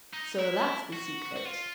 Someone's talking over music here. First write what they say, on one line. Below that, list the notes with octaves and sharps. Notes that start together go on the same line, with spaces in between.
So that's the secret.
D#4
E4
F#4
F#4
F4